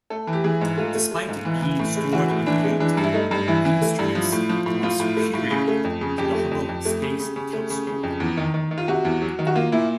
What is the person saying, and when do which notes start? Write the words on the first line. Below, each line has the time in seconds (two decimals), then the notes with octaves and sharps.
Despite being stored unused, the instruments are superior to the Hubble Space Telescope.
0.10 A3 A4
0.27 E3
0.33 G4
0.44 E3 G#4
0.61 G#2
0.78 A3 F4
0.95 A3
1.11 A3
1.28 G#2
1.45 E3
1.62 E3
1.79 A2
1.96 G#3
2.13 E3 F#4
2.30 A2
2.46 E3 D4
2.64 G#3
2.80 E3 D4
2.97 G2
3.04 E4
3.14 A3 D#4
3.31 G2
3.48 E3 E4
3.65 E3
3.82 A3
3.99 G2
4.15 F3
4.32 A2
4.50 F3
4.66 A2
4.83 F3 F4
5.00 A2
5.17 A3
5.33 A2
5.50 C#3
5.68 A3
5.84 F2
6.01 C#3
6.18 F2 G4
6.35 A3
6.51 F2
6.69 F2
6.85 A3
7.02 C#3
7.20 C#3
7.36 C#3
7.53 A3
7.70 C#3
7.87 C#3
8.03 F2
8.20 E2
8.37 D#3
8.54 D#3
8.71 D#3
8.78 F4
8.88 C3 F#4
9.05 E2
9.22 F#3
9.39 D#3
9.47 F#4
9.56 A#3 F4
9.72 A#2 E4